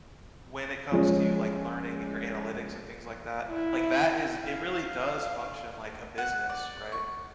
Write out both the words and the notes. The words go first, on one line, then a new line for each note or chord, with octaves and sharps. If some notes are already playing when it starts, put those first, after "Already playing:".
when it comes to, like, learning your analytics and things like that, like, that is it really does function like a business, right?
F3 G#3 C#4
E4
F5
F#5
D5
C#6